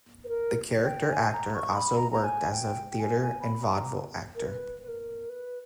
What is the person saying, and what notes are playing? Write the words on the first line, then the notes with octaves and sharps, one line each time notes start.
The character actor also worked as a theatre and vaudeville actor.
B4
A#4
G5
G#5
A#5
C#6
B5
A#5
A#5
G#5
G5
G5
G#5
G#5
B5
A#5
A#4
B4
B4
A#4
B4